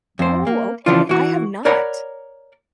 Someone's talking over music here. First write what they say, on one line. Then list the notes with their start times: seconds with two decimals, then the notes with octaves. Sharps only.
Oh, okay. I have not.
0.19 F2 C5
0.47 A#3
0.86 C#3 E3 F3 D4 F4
1.09 E3 F#4
1.65 A#4 C#5 D5 F#5 A#5 B5